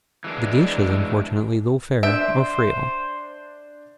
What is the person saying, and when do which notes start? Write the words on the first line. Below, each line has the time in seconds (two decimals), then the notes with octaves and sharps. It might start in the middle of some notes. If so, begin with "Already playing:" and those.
The geishas unfortunately, though fair, are frail.
0.24 E3 G#3 D4
2.03 D4 C5 E5 G6 D7